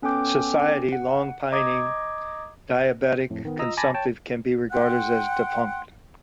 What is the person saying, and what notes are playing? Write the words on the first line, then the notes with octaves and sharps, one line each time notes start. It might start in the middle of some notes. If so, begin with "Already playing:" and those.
Society, long pining, diabetic, consumptive, can be regarded as defunct.
B3 C#4 A4 G5 D6 G6
F#5
D#5 A#5 D6 D#6 G#6
F2 A2
D#3 B3
F4 D#5 A#5 D#6 E6
G#5 A5 B5 D6 A6 A#6
C#5 G5 A5
F#5 G5 C6 F#6